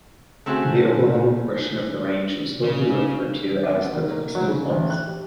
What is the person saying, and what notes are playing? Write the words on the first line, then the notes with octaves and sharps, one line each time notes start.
The Oklahoma portion of the range is locally referred to as the Cookson Hills.
A3 C4 C#4 F#4 G#4
C#3
D5
B3
D#3
A#3
F#3
C#3
A1
F#6
G4